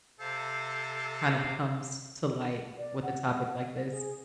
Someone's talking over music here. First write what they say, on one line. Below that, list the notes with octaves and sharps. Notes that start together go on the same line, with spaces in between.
kind of comes to light with a topic like this.
C3 A4 C5 F5
D5
F#5
G#4